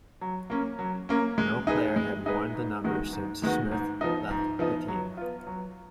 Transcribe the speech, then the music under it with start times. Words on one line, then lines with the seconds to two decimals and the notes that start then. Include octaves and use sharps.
No player had worn the number since Smith left the team.
0.21 F#3
0.50 A#3 C#4
0.79 F#3
1.09 A#3 C#4
1.38 G#3
1.67 D#4 G#4 B4
1.96 G#3
2.26 D#4 G#4 B4
2.55 G#2
2.84 D#3 G#3 B3 F#4
3.13 G#2
3.42 D#3 G#3 B3 F#4
3.72 G#2
4.01 F3 B3 D#4
4.31 G#2
4.59 F3 B3 D#4
4.88 F#3
5.17 B3 F4
5.47 F#3